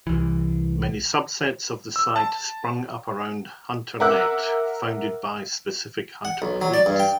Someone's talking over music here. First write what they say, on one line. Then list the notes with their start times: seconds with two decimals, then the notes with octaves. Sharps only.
Many subsets of the site sprung up around Hunter-net, founded by specific hunter creeds.
0.07 C2 E3
1.96 E6
2.16 A5
4.00 A#4 E5 F#5 D6 E6 F#6
6.25 F#5
6.42 B1
6.62 F#3
6.74 D5
6.86 G2
7.00 G5